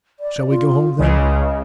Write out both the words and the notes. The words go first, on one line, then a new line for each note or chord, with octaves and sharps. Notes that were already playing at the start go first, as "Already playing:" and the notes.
'Shall we go home, then?'
D5
F4
C#2 C#3 D#5